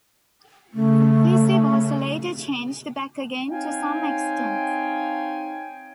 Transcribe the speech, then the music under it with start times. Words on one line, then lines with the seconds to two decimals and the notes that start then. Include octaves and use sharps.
The policy was later changed back again to some extent.
0.73 C#3 A3
3.48 C4 D#4 C#5 F5 G5 G#5